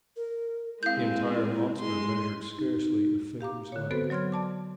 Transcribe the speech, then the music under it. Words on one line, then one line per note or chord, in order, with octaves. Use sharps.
The entire monster measured scarcely a finger's length.
A#4
G#3 C4 E4 F5 G6
G#3 C6
D#4
G4 F5 A#5 D6
D3 C#5
B3 C4 F#4 A4 B4 C5
F#3 C#5 C6 F6 G#6
D5 A5 D6